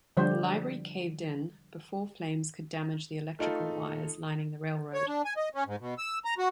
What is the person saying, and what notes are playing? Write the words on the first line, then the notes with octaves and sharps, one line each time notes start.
The library caved in before flames could damage the electrical wires lining the railroad.
D3 F3 G3 C5
A3 D#4 F4 A4
C#5
D4
G#5
D#5
C#4
G#2
B2
E6
A#5
F#4